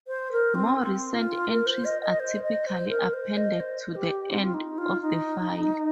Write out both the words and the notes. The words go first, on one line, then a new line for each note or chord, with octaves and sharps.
More recent entries are typically appended to the end of the file.
C5
A#4
C4
C4
F4
A#4
C5
D#5
D#5
C5
D#5
C5
A#4
C5
D#5
C5
G4
C4
F4
D#4
F4
D#4